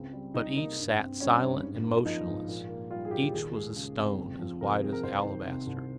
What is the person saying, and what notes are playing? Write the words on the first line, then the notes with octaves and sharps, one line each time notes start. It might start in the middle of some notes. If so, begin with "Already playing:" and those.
But each sat silent and motionless--each was a stone as white as alabaster.
Already playing: C#2 C4
G3
C3 D#4
A#3 D#4
G2
C4
G3 C#4
G2
G#2
A#3
F3 D#4
G#2
A#2
A#3
G3 F4
G#4
A#2 G4
D#2 G#4
G#3 G#4
C#3
C4
F2
F3
C3 A#4
C4 G#4
A#4
C2 C5
D#3
C3
C2